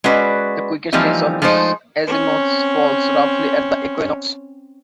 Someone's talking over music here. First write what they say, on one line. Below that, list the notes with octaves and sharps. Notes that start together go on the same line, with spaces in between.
The quickest change of these azimuths falls roughly at the Equinox.
G#3 C#4 F#4 B4 D5
E3 F3 G3 A#3 C4 D#4
F3 G#3 A3 D#4 C5
C4 C#4